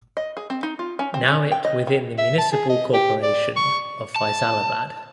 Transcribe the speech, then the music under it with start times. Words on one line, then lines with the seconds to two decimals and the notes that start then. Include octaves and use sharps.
Now it within the municipal corporation of Faisalabad.
0.17 D#5
0.37 G#4
0.50 C4
0.63 D#4
0.79 F4
0.99 C#4
1.14 C4
1.28 C#4
1.52 G5
1.65 D#5
1.87 D#3
2.18 E5
2.38 A5
2.52 G#4
2.69 D#5
2.94 G4
3.23 D5
3.56 C#6
4.16 A5